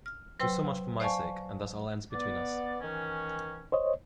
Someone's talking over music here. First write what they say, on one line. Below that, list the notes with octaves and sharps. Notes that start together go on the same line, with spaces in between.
Do so much for my sake, and thus all ends between us!
F6
F#3 B4 C5 G5 C6 E6
C5 D5 F5 G#5 A5 C#6
B3 D5
D#3 E3 C#4
C5 C#5 D#5